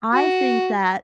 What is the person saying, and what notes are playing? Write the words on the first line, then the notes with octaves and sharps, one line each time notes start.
I think that
F#4